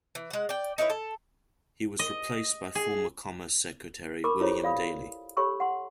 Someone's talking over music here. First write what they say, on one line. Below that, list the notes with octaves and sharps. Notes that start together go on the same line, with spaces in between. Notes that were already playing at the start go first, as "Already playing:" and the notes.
He was replaced by former Commerce Secretary William Daley.
E3
G#3 F#5
D5 G5
D#4 E4 B4 C#5
A4
D#5
G#4
A#4 B5 C#6 D6
E4 F4 G4 A4 C5 C#5
D5 F5 B5 D#6
G4 A4 C#5 B5 C#6 E6
F#5 C6